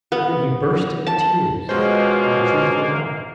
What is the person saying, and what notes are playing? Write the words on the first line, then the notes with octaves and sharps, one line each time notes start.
Then he burst into tears, and the truth came out.
B3
A5
B2 G#3 A#3 C#4 F4 C5